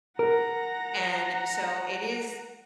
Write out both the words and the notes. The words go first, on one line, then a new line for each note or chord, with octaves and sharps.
and, so, it is
A#4 F#5 A#5